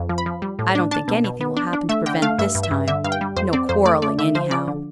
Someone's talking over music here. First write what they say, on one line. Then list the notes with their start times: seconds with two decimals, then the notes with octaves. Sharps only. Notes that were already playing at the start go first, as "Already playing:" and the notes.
I don't think anything will happen to prevent this time--no quarrelling, anyhow.
Already playing: F2
0.09 F3
0.18 B5
0.26 F3
0.42 G3
0.59 A2
0.75 D4
0.91 D4 A5
1.08 B2
1.24 B2
1.41 B3
1.57 D4
1.73 D4
1.89 A3 E5
2.06 D3 G5
2.22 A3 F5
2.38 G2 E5
2.55 G2
2.63 E5
2.71 G2
2.88 D3 E5
3.04 G2 F5
3.12 G5
3.21 G3
3.37 F2 C5
3.53 C4 D5
3.69 F2 C5
3.86 A3 D5
4.02 A3 D5
4.18 D3 E5
4.35 F3 C5
4.51 F3 D5
4.68 D3